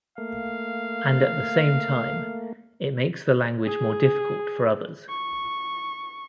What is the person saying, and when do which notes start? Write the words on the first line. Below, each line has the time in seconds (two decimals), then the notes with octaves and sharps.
And at the same time, it makes the language more difficult for others.
0.18 A3 A#3 F5
3.66 G#4
5.09 C#6